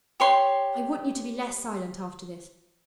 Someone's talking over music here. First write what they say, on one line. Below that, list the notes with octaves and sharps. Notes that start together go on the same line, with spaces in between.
I want you to be less silent after this.
G4 C#5 C6